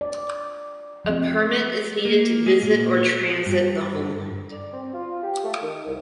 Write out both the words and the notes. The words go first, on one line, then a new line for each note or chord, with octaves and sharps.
A permit is needed to visit or transit the homeland.
D5
F3 C4
A#3
G#3
A#2
B3
G2
D5
C4
F4
G4
A3
D#3
C2